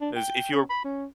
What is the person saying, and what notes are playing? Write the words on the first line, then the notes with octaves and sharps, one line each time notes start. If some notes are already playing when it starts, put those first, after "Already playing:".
As if you're
D4
G5
C#4
B5
C#4